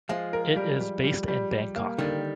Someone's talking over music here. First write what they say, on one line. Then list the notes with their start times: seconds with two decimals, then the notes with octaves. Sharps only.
It is based in Bangkok.
0.09 F3 G#3 F4
0.33 A#4
0.56 G3
0.81 G3
1.04 G3
1.28 G3
1.51 G3
1.76 A#3
1.98 D3 D#3 G3